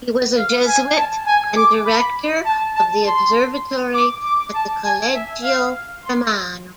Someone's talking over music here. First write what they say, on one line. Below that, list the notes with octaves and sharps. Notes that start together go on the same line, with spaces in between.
He was a Jesuit and director of the observatory at the Collegio Romano.
F5
G#5
A5
G#5
D6
B5
A5
A5
C6
D6
D6
A5
G#5
E5
F5
C6